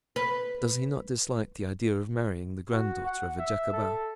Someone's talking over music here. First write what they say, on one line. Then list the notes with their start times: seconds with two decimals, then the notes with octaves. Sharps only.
"Does he not dislike the idea of marrying the granddaughter of a Jacobin?"
0.16 B4
2.71 F#4
3.06 F#5
3.39 E5
3.73 A4